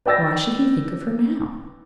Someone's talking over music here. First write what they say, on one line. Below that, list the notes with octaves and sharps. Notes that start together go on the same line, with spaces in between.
Why should he think of her now?
B4 D5 G5 E6 A6 A#6